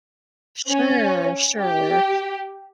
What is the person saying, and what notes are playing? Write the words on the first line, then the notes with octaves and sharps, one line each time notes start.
Sure. Sure.
C#4
G4